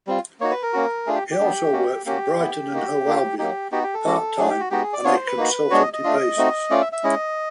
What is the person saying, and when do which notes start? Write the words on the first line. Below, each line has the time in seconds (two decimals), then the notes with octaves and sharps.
He also worked for Brighton and Hove Albion part-time on a consultancy basis.
0.07 G3 C4 F4
0.40 A#3 D#4 F#4 C#5
0.51 B4
0.63 A#4
0.73 A#3 C#4 F#4
1.06 A3 D4 F4 G#4
1.15 G4
1.31 G4
1.39 G3 B3 D4
1.72 A#3 C#4 F#4
2.06 A#3 C#4 F#4 G4
2.39 B3 E4
2.72 A#3 D#4 F#4
3.06 A#3 D4 F4
3.39 F#3 A#3 D#4 G4
3.72 B3 D#4 F#4 G4
3.83 G4
3.94 A4
4.05 G#3 C#4 F#4
4.38 F#3 A3 D4 G#4
4.49 G4
4.60 F#4
4.71 G#3 B3 D#4 F#4 G4
4.83 G#4
4.93 D5
5.04 B3 D4 F4 C#5
5.16 C5
5.27 B4
5.37 A#3 D#4 F#4
5.70 G#3 B3 D4 F#4 C#5
5.82 D#5
5.93 D#5
6.04 A3 D4 F4
6.37 A3 C4 D#4 F#4
6.70 A3 C#4 F4 D5
6.81 E5
6.92 E5
7.04 G#3 C#4 E4 D#5